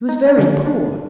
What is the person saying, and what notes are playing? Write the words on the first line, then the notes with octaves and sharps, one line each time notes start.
He was very poor.
D#4
D#4
D3 G3 A#3 C#4 D4
D4